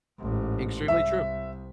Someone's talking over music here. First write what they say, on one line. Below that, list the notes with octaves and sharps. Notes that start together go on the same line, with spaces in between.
Extremely true.
A1 G#2
C2 E5